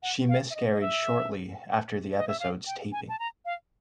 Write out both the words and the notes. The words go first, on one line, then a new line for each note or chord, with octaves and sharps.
She miscarried shortly after the episode's taping.
F#5
F5
E5
D#5
D#5
E5
D#5
E5
F5
G5
G#5
A5
A#5
F5